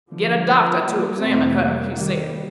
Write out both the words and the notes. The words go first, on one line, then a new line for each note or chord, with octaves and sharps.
"Get a doctor to examine her," he said.
D3 F3
G3 A#3
F1 F2 C3 A3 C4
G3 A#3
D#3 G3